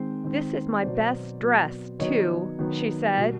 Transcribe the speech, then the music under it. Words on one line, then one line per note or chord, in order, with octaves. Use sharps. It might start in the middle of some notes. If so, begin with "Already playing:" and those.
"This is my best dress, too," she said.
Already playing: D#3 G#3 C4 C5
D#3 G#3 C4
B2 F#3 B3 C5 D5
B2 F#3 B3
D#3 F#3 B3 C#5 D#5
D#3 F#3 B3
B2 G3 A#3